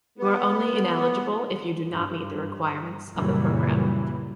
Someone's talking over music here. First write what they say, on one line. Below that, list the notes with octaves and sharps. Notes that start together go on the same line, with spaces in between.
You are only ineligible if you do not meet the requirements of the program.
B3
G2
F#2 A#2 C#3 E3 F#3 G3